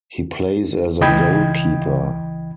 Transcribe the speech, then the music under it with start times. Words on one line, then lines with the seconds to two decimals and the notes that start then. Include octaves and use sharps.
He plays as a goalkeeper.
1.01 C#2 E3 D#5 G5 B5 G#6